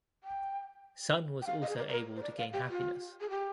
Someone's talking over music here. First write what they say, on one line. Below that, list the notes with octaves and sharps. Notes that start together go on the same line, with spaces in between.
Sun was also able to gain happiness.
G5
G5
F5
D#5
G#4
A#4
C5
A#4
C5
D5
F5
G4
F4
G#4
G4